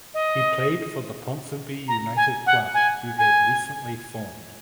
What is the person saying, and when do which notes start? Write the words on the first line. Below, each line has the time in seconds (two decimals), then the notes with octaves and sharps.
He played for the Ponsonby United club who had recently formed.
0.14 D#5
1.88 A#5
2.17 G#5
2.46 F#5
2.74 G#5
3.18 G#5